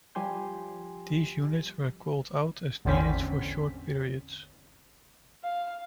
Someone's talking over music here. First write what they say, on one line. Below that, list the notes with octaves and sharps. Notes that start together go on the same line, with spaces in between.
These units were called out as needed for short periods.
F3 G3 G4 G#5 C6 G6
A1 E2 D3 C4 C#4 B6
F5